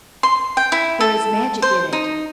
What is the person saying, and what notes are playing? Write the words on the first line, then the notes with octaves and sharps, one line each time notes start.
There is magic in it.
C6
G5
E4
A4
C5
D#4